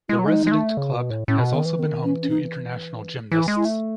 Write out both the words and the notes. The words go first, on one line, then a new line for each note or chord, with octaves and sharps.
The resident club has also been home to international gymnasts.
G#3 E4
F#3
G#3 D#4
G#3
A3
C#3
B2
A2
A2 C#4
B2
D#3 B3
E3
D#3 B3
E3 C#4
C#4
D#4
E3 E4
G#3
E4
A3